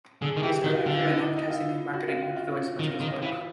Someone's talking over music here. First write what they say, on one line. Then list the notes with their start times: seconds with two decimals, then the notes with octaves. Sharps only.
His early career in advertising and marketing influenced much of his work.
0.22 D3 G#4
0.37 D#3
0.43 E3 G4
0.64 D#3 F#4
0.75 F4
0.86 D3 F4
0.97 F4
1.08 E4
1.22 D#4
1.36 D#4
1.50 F4
1.94 F#4
2.08 F4
2.22 F4
2.36 F4
2.79 D#3
3.00 D#3
3.22 E3 F4